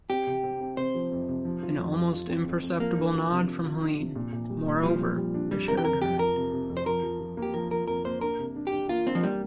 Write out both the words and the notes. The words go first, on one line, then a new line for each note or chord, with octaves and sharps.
An almost imperceptible nod from Helene, moreover, assured her.
C4 G4
C3
C4
C4
C3 C5
F3
F2
C3
F3
F4
F2
F2
F4
C4
F2
F2
F3 A#3
D4
F4
C3
F3
F4
D4
C3
A#2
A#2
G3
A#2
F3 G3
A#2
G3
D4
F2 G3
C3 A#4
G4
F2 A#4
F2 G4
F3 A#4
C3
C3
F2
C5
F3 A#4
F3
F3
A#3
G4
F3 A#4
F3 A#4
F2 A#4
A#3 C5
D4 A#4
C3
D4
G4
D4
A#3 F4
C4 D4
F3
G3 A#3